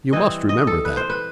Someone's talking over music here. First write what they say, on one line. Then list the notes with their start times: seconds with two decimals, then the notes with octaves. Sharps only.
You must remember that.
0.13 E3 G3 C4 D#5
0.49 D#5
0.67 A4
0.85 B4
0.97 C5
1.10 B4